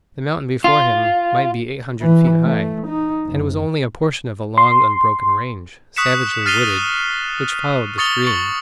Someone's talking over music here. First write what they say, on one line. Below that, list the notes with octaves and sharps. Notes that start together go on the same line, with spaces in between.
The mountain before him might be eight hundred feet high, and was only a portion of a long unbroken range, savagely wooded, which followed the stream.
F4
E3
A3
D#4
F#1
C6
C#6 D#6 F#6 B6 C#7 E7
F6 A6 C7 D#7 F7 G7
C#6 D#6 A6 C#7 F7 G7
C#6 A6 C#7 F#7 G7